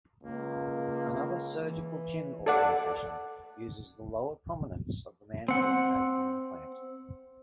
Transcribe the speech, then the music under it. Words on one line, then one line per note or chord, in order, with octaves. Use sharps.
Another surgical chin augmentation uses the lower prominence of the mandible as the implant.
C#2 A#3
E3
A4 D5 F#5
C4 F#5